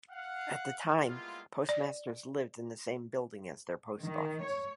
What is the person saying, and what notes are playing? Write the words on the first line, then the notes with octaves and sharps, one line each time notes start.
At the time, postmasters lived in the same building as their post office.
F5 F#5
G3 G#3 A#3 B3 E4 F4
D5
D#3
C#5